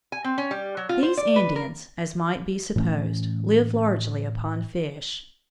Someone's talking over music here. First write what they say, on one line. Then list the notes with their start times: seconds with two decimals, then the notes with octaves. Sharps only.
These Indians, as might be supposed, live largely upon fish.
0.12 G#5
0.24 C4
0.38 C#4
0.51 G3
0.77 F#3
0.89 F4
1.03 C5
1.17 D5
1.36 B4
1.56 A#4
2.76 A2 E3 A3 C#4